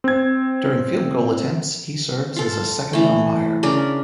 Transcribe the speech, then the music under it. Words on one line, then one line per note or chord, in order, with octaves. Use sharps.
During field goal attempts he serves as a second umpire.
C4 G#6
F4 A4
E3 A3
C#3 D4 A#4